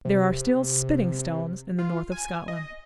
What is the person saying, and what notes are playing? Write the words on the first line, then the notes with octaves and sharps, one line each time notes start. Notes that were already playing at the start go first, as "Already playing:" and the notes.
There are still "spitting stones" in the north of Scotland.
C3
F4
G#5
D#5